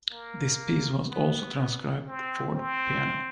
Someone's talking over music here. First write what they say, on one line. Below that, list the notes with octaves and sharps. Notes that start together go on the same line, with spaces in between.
This piece was also transcribed for the piano.
A#3
B3
C4
C4